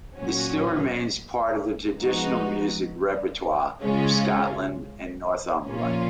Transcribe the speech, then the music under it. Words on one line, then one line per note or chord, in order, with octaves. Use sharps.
It still remains part of the traditional music repertoire of Scotland and Northumberland.
A#2 F#3 C#4 F#4
F3 G#3 B3 D#4 F#4
C#3 G#3 C#4 F4
A#2 F3 A#3 C#4 F4